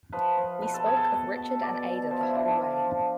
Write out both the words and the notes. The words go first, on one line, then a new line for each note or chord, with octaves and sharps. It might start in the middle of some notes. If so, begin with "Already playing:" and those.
We spoke of Richard and Ada the whole way.
F3 B4
F3
B2 B4
A4
B2 G#4
A4
B2
B2
B2 D5
B2
F3 C5
E4
F3 D4
E4
F3 F4
F3